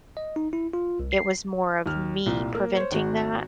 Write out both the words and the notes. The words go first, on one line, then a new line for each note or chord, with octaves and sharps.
it was more of me preventing that
D#5
D#4
E4
F4
C2
C7
D#2 F6
C2 A#2
A#3
C5 C#5
G#1 F#4